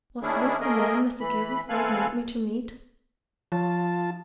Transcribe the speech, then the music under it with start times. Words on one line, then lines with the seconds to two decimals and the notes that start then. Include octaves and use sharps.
Was this the man Mr. Gilverthwaite meant me to meet?
0.22 D#3 C#4 D4 E4 G#4
0.61 A3 A#3 G#4 A#4 D#5
1.20 E3 B5
1.69 E3 C4 A4 F5 G#5 F#6
3.52 F3 F4 A5